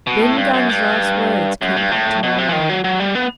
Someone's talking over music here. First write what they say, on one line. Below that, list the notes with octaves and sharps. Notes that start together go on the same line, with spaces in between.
Ben Gunn's last words came back to my mind.
B2
A2
G2
F#2
G2
F#2
G2
A2
B2
C3
E3
D#3
F#3
F#3
G3
B3